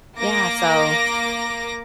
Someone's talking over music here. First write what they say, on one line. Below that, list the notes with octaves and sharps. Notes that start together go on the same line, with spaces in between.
yeah so
A#3 D6 A#6